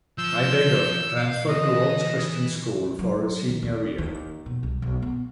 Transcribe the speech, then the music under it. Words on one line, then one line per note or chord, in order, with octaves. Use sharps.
Heidegger transferred to Oaks Christian School for his senior year.
F3 E6 G6
F5
E3 D#5
F#3
D#3
D#2
D#2
B2
C2
B1
B3